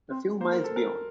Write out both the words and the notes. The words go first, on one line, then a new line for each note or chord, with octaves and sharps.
A few miles beyond.
C4
A#3 C5
A#4
A4
A#4